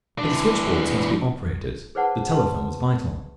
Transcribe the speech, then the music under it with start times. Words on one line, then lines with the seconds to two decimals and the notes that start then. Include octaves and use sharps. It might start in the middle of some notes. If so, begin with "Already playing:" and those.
But the switch-boards must be operated--the telephone was vital....
0.19 E3 D4
1.95 G#4 B4 C5 D5 F#5 A5
2.32 B4 A5 C6